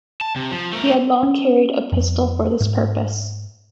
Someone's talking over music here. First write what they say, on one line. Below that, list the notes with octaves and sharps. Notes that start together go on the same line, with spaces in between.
He had long carried a pistol for this purpose.
A5
C3
F3
A3 A#4
C#4
F2
G#2